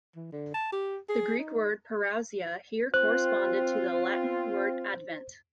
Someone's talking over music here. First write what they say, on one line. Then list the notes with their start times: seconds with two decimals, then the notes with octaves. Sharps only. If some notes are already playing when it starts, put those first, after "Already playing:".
The Greek word parousia here corresponded to the Latin word advent.
0.16 E3
0.32 D3
0.54 A5
0.72 G4
1.09 G#4
1.39 D#4
2.94 C4 F4 C5 F#6